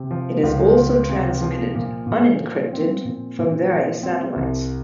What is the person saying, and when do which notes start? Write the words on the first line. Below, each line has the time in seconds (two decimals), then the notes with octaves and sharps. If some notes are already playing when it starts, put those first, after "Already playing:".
It is also transmitted unencrypted from various satellites.
Already playing: C3
0.11 F3
0.43 C#2
0.76 C#2
1.09 C3
1.41 F3
1.75 A#2
2.07 A#2
2.39 F3
2.73 C4
3.05 A#2
3.39 A#2
3.70 F3
4.03 C4
4.36 C2